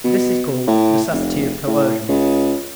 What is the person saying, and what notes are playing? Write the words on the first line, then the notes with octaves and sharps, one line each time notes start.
This is called "necessity of coercion."
B2
A2
F1
A2
C#2